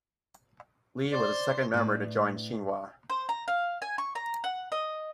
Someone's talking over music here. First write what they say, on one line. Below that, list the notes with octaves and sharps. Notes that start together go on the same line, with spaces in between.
Lee was the second member to join Shinhwa.
C5 D5 C6
A2 B4 D5
C5
A#5
F5
G#5
C#6
A#5
F#5
D#5